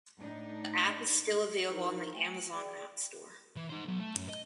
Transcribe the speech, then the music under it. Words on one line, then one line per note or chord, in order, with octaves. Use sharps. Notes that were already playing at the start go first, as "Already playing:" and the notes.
The app is still available on the Amazon Appstore.
A2 D4 D#4
F3 D#4 E4 A#4 C5
A3 G5 G#5
G#4 D5 G5
E3
D#4 C5
B1 F#3
A3
F#2
D#5